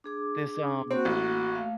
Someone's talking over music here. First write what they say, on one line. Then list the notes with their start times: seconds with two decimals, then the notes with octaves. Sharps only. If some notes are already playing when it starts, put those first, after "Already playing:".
this, um
0.04 D4 G#4 D6
0.91 A#3 C4 F#4
1.05 A1
1.55 A3 F5